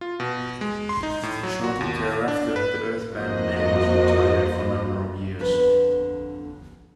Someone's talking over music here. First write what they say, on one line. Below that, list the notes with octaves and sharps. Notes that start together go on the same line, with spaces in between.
Shortly thereafter, the Earth Band name was retired for a number of years.
F4
B2
G#3
C6
D#4
A2
F#3
F#4
D#2
D4
B4
F2 A#3 F#4 C5 D#5
F2 D3 B3 B4